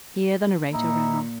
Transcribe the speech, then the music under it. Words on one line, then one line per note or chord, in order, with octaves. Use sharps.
Here the narrator rang off.
A#2 D#4 E4